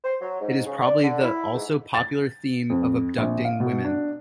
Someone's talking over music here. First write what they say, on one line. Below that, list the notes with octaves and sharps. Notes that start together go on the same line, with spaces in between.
It is probably the also popular theme of abducting women.
C5
F#3
G#2
C#3
D5
D3
E4
G#2
A6
F2
A#1
F5
B2
D4